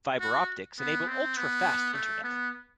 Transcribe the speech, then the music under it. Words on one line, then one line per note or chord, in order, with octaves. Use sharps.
Fibre optics enable ultra-fast internet.
F#4
B3
C4
B3
A3
B3